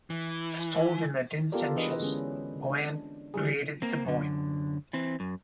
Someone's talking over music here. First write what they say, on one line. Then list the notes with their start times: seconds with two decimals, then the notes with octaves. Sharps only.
As told in the Dindsenchas, Boann created the Boyne.
0.10 E3
1.52 B3 F4 G4 A4 A#4 D5
1.76 E3 D4 G#4 B4 D#5
2.00 D3 G#3 C#4
2.70 D4
3.34 D3 E3 G3 G#4
3.82 A#3 C4
4.05 F#2 D3
4.93 E3 C4
5.20 F#2